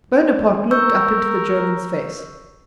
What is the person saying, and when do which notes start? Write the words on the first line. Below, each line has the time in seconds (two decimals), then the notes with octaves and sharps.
Bonaparte looked up into the German's face.
0.71 A#4 C#6 E6 G6